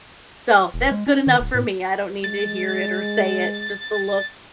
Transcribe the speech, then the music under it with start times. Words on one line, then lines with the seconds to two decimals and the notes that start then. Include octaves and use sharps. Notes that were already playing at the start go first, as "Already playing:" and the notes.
So, that's good enough for me, I don't need to hear it or say it, just the look
0.74 E1
0.91 G#3
1.07 C#4
1.27 D#3
1.40 D1
1.54 A2
2.24 G#3 A6